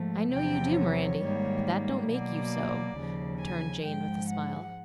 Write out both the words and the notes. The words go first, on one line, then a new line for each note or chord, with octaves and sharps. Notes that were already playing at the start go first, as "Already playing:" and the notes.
"I know you do, Mirandy; but that don't MAKE you so," returned Jane with a smile.
Already playing: G#2 F3 A3
E2 C3 F3 G5
C#5
G#2 D#3 G3 A#3
B2 F#3 A#3 D5
D#2 C#3 F3
G#5
G#2 F3 G#3 G5
F#5